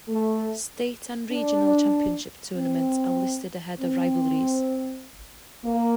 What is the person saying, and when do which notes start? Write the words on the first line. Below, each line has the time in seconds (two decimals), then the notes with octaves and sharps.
State and regional championship tournaments are listed ahead of rivalries.
0.08 A3
1.32 D4
2.55 C4
3.79 C4
5.65 A#3